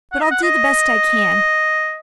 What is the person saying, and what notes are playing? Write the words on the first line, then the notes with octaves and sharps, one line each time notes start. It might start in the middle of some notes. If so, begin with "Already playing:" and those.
But I'll do the best I can.
F#5
D#5
F#5
D#5